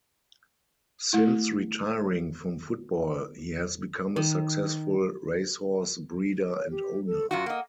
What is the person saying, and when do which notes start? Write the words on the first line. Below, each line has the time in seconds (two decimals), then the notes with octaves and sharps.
Since retiring from football, he has become a successful racehorse breeder and owner.
1.13 A3 E4
4.16 D#3
6.54 C#5
6.70 G4
7.06 A4
7.31 F#2 F4 F#4 F#5
7.46 A#3 D#5